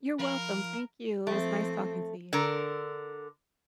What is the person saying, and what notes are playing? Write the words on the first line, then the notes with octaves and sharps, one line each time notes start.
You're welcome, thank you, it was nice talking to you.
F3 A#4 F5 B5
F3 A3 C4
D3 A#4